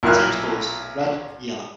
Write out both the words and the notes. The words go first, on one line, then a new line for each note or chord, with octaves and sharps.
The team's colours are red and yellow.
B1 A#2 A#3 E4 F6 F#6